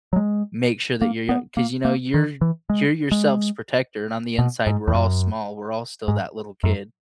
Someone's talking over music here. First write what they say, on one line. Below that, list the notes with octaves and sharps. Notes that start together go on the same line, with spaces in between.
make sure that you're young 'cause, you know, you're you're yourself's protector, and on the inside, we're all small we're all still that little kid.
F#3
G#3
A#3
B3
A#3
A#3
D#3
E3
G#3
G#3
B2
G#2
E2
F#2
G#2
F#2